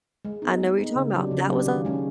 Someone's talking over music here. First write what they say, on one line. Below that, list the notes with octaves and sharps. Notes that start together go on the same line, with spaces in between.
I know what you're talking about, that was
G#3
B3 D#4
G#3
B3 D#4
C#3
F#3 A#3 D4 G4
C#3
F#3 A#3 D4 G4
D#3
G#3 C#4